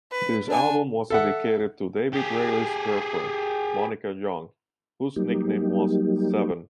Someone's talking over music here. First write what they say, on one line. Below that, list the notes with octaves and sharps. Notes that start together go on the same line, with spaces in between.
This album was dedicated to David Reilly's girlfriend, Monica Young, whose nickname was Seven.
B4
D4 G#5
A4 E5 F#5
G4 G#4
F#3 G3 A#3 D#4 G4